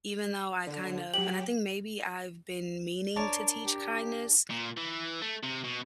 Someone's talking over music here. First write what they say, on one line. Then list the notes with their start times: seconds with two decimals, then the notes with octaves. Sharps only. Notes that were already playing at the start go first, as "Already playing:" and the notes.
even though I kind of and I think maybe I've been meaning to teach kindness,
0.67 D3
1.14 F#3 G4 F#7
3.16 D4 A#4 C#5 D5 A5
3.65 G4
4.50 A#2
4.77 E3
5.22 A3
5.44 C3
5.64 B2